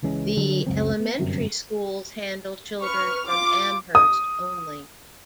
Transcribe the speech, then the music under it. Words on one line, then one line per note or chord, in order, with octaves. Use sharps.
The elementary schools handle children from Amherst only.
C#2 E3 G#3 C#4
D3 F#3 G3
C#2 F#2 F#3 C4
B3
G1 F#2 C3
B4 C#6 F6
F4 D6
D#6